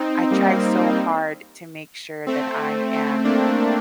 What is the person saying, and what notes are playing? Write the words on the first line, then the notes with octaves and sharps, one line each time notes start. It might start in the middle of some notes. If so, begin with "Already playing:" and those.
I try so hard to make sure that I am
Already playing: C4 D#4
G3 A#3
A3 C4
A3 C4
A#3 D4